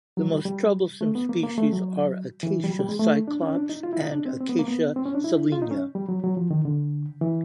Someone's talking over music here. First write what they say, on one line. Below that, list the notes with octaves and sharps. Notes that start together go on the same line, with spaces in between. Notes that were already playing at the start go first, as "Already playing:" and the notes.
The most troublesome species are "Acacia cyclops" and "Acacia saligna".
F#3
G3
G3
A3
B3
A#3
A#3
A3
F#3
E3
G3
F#3
G3
G#3
A3
D4
C#4
D4
D#4
F4
E4
D#4
D4
C4
C4
B3
A#3
B3
C4
C#4
D4
E4
F4
D#4
C#4
G3
F#3
F#3
F3
D#3
D3
E3